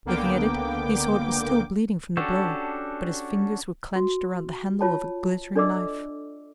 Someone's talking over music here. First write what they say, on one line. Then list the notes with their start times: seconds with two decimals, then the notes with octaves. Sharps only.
Looking at it, he saw it was still bleeding from the blow, but his fingers were clenched around the handle of a glittering knife.
0.05 C#2 D3 A#3 B3 G5 D6
2.17 C#4 D4 F#4 G4 A4
3.96 F#4
4.81 F4 C#5 A5
5.56 D4 A4 D5 D#5 D6 E6